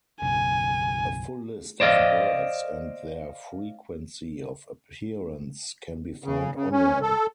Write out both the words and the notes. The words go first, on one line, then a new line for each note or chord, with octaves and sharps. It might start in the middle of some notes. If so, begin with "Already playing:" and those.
A full list of birds and their frequency of appearance can be found online.
B1 F#2 C#3 G#5
C5 D5 D#5 F5
C#3
C#3
C#4
A4